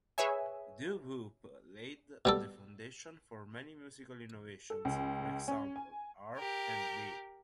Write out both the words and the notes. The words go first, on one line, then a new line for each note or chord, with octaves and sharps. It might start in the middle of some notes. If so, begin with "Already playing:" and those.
Doo-wop laid the foundation for many musical innovations, for example, R and B.
G#4 B4 C#5 E5 G#5
B2 G3 A4
A4
C#2
C#4
G#5
G4 A#4